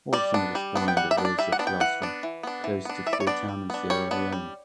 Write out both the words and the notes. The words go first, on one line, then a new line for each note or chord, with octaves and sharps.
Horton was born in the village of Gloucester, close to Freetown in Sierra Leone.
G3 D5
B3 D4
G3
B3 D4
G5
G3 F#5
E5
B3 D4
D5
G3 E5
F#5
B3 D4
G5
E3 F#5
B3 D4
E3
B3 D4
E3
B3 D4
E3 E5
D5
C#5
B3 D4 D5
G3
B3 D4
G3 C#5
B3 D4
G3